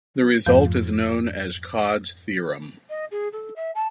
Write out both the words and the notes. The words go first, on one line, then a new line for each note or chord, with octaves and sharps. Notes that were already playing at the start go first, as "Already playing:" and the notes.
This result is known as Codd's theorem.
F2 G#2 F3 A3 F5 G6
D#5
G#4
A4
E5
A5